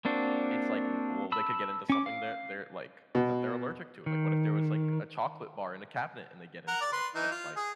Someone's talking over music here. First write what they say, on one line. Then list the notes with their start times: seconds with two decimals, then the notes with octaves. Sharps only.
it's, like, w well, they could get into something they're they're, like that they're allergic to, like what if there was like a chocolate bar in a cabinet and they get into it, and it's like
0.05 A#3 C4 D4 F#4
1.32 A5 B5 E6
1.90 C#4 D6
2.06 F5
3.15 B2
4.06 D#3
6.68 A#4 F#5
6.81 D5
6.92 B4 C6
7.15 E3 D#4
7.32 F4
7.56 G#4